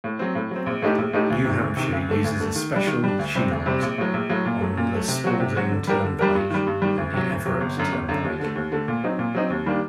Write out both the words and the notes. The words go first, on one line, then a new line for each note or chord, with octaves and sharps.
New Hampshire uses a special shield on the Spaulding Turnpike and the Everett Turnpike.
A2
F#3 C4
A2
F#3 C4
A#1
A2 A3 D#4 G4
A#1
A2 A3 D#4 G4
D2
C3 D#3
D2
C3 D#3
D2
D3 A3
D2
D3 A3
D#3
G3 D4
D#3
G3 D4
D2
C3 G3 C4
D2
C3 G3 C4
A#1
A2 F#3
A#1
A2 F#3
A#2
F#3 A3
A#2
F#3 A3
C3
F#3 C4 F#4
C3
F#3 C4 F#4
D3
G3 D4 G4 A#4
D3
G3 D4 G4 A#4
G2
D#3 G3
G2
D#3 G3
D2
C3 F#3
D2
C3 F#3
G1
F#2 D3
G1
F#2 D3
D#2
D3 A3
D#2
D3 A3
A#2
F#3 C4 D#4
A#2
F#3 C4 D#4
D#2
D#3 G3 A#3 D4